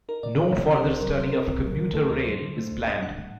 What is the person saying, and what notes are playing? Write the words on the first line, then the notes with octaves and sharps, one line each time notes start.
No further study of commuter rail is planned.
D#4 A#4
A#2 D5
F#3
C3
C4 C5
A#4
C2 C5
F#3 A#4
C3 C5
C4 A#4
C2
F#3
D3
A3 A4
D2 A#4
F#3 C5
D3
A3
D2
D4 D#5
G3 F#5
A2